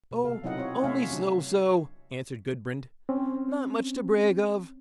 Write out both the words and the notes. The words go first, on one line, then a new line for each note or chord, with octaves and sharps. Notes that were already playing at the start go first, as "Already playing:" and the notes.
'Oh! only so so', answered Gudbrand; 'not much to brag of.
B2
C3 A4 F5
F#3 C4 D#4 E4 D#5 F#5
C4 F4 C#5
C3 A3 C#4 C#5 E5 F5
C3 F#3 D4
C4 C#4